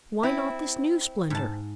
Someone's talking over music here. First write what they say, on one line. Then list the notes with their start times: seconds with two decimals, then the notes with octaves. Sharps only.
Why not this new splendor?
0.23 C4 E4
1.30 G#2 A5